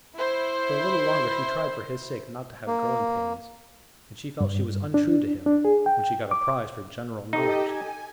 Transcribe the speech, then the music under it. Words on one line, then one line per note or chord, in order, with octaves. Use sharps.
For a little longer she tried for his sake not to have growing pains; and she felt she was untrue to him when she got a prize for general knowledge.
E4 C5
A#3
G2
D4
D4
G#4
G5
D6
D#4 G4 A4 D#5
G#5